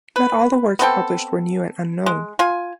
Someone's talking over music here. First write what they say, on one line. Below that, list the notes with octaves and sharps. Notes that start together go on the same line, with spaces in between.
Not all the works published were new and unknown.
B4
B3 C4 A4 G5
G#3
F4 G#5